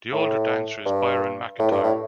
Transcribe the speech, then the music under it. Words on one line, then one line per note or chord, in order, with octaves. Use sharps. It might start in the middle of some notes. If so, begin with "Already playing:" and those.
The older dancer is Byron McIntyre.
A2
G2
A2
G2
A2